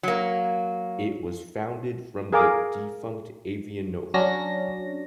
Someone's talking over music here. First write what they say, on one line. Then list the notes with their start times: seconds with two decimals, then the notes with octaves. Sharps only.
It was founded from the defunct Avianova.
0.03 F#3 A#3
2.33 G#4 A#4 F5 G#5 D6
4.14 F#3 C#4 D4 A#6